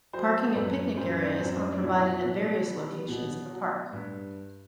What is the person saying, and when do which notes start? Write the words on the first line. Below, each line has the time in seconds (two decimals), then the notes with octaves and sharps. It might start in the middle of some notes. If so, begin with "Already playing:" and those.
Parking and picnic areas are provided at various locations in the park.
0.13 F#3 C5
0.51 A4
0.55 F#2 B4
0.97 F#2 C5
1.21 D5
1.25 C5
1.39 F#2 C4
1.54 D4
1.72 D4
1.82 B2 E4
2.24 B2
2.66 G3
3.08 B2
3.50 F#3
3.93 G2